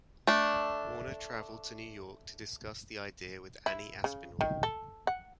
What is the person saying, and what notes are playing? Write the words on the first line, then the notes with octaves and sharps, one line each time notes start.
Warner traveled to New York to discuss the idea with Annie Aspinwall.
A3 D4
E4
C#3
D#3
A4
F#5